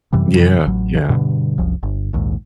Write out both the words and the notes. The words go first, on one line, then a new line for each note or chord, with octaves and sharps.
Yeah. Yeah.
F#2 C3 E3 G3
A1 F#3
G2 B2 D3
F#1 C2 F3
G1
A#1 D#2 G#2